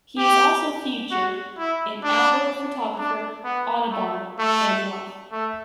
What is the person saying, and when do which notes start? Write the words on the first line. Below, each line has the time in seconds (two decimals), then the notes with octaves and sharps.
He is also featured in "Outdoor Photographer", "Audubon", and "Life".
0.18 G4
1.11 F#4
1.58 E4
2.04 D4
2.98 D4
3.44 B3
3.91 A3
4.39 A3
5.32 A3